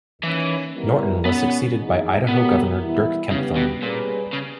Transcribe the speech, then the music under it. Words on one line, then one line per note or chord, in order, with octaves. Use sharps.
Norton was succeeded by Idaho governor Dirk Kempthorne.
D#3 E3 A#3 C#4
G3 B3 E4 A#4
A#2 G3 B3 C#4
E2 D#3 A#3 D#4 G#4
B2 G#3 B3 C#4 G4 A#4
E3 G3 B3 E4
G2 C#3 G3 B3 G4
B2
A#2 G3 C#4 G#4 B4
C#3